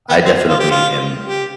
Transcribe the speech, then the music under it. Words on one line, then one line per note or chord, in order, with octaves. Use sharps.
I definitely am,
B3
C4
F4
G4
F4
G4